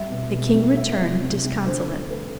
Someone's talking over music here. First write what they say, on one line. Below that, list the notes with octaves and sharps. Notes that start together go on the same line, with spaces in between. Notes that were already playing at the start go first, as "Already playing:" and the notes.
The king returned disconsolate.
Already playing: G3 E5
B2
B2
G3
G3 E5
C3
C3
G3
D3 C5
D3
A3 B4